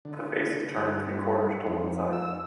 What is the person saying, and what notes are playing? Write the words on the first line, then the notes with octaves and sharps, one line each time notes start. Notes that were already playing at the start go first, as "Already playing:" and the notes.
The face is turned three-quarters to one side.
D3
G2
F2
E6